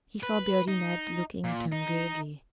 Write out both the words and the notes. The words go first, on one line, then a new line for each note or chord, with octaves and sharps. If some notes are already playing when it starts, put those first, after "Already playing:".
He saw Beardy Ned looking at him gravely.
B4
D#4
A#2
D#4